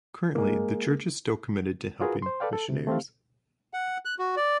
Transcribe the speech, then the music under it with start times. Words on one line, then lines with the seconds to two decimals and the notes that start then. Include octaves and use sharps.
Currently, the church is still committed to helping missionaries.
0.35 G#3 A#3
2.01 F4 F#4 G#4 A#4 B4
2.22 C5 C6
2.40 A4 B4 D5 F5 G5
2.53 A4
2.69 C3
2.87 A3 C4 G4 F5
3.74 F#5
4.05 F#6
4.19 F#4
4.37 D5